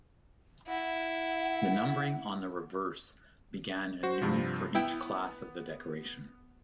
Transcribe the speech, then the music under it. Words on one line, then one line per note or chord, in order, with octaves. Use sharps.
The numbering on the reverse began anew for each class of the decoration.
E4 F#5
F#4 C5
G2 C3 F3
B3 E4 G5